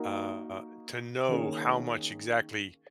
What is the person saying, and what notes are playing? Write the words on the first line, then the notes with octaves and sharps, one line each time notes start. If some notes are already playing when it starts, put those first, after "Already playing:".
uh, to know how much exactly
Already playing: A#3 D#4 F#4
D#3 A#3 C#4 G#4